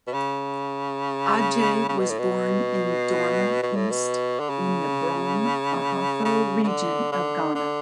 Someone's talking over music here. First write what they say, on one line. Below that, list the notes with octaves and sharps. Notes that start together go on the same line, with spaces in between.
Adjei was born in Dorma East in the Brong Ahafo Region of Ghana.
B2
C#3
C#3
B2
A2
B2
B2
A2
B2
D3
C#3
C#3
C#3
D3
D3
D3